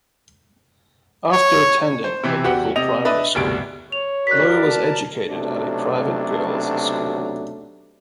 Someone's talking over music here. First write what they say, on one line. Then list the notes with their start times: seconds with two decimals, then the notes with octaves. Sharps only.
After attending a local primary school, Blow was educated at a private girls school.
1.32 C#5
2.04 C5
2.23 C3 E3 C4
2.44 E2 F#4 G4 F#5
2.76 C3 D#5 F7
3.05 D4 B4 D#5 E5
3.35 F1 D2 G2 B2 G3 D7
3.92 C#5 F7
4.27 F#4 A#4 D5 F#6 B6
4.68 A5
5.29 B1 C3 F#3 A3 D4